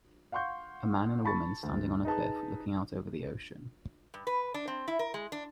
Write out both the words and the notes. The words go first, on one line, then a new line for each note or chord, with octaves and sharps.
A man and a woman standing on a cliff looking out over the ocean.
F5 F#5 C6 C#6 G6
A5 B5 C#6 A6
D2
D#4 G#4 B4 A5
G2
B4
D4
C4
E4
A#4
G#3
D4